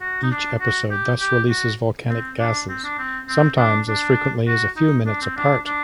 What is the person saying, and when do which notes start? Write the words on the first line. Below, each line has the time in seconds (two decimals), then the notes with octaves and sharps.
Each episode thus releases volcanic gases, sometimes as frequently as a few minutes apart.
0.01 F#4
0.23 D#4
0.31 D4
0.60 F#4
0.90 G4
1.20 G4
1.50 F#4
2.10 C4
2.39 D4
2.69 C4
2.84 D4
2.98 C4
3.28 C4
3.58 D4
3.88 D4
4.47 F#4
4.76 D#4
5.06 D4
5.22 C4
5.37 D4
5.66 D4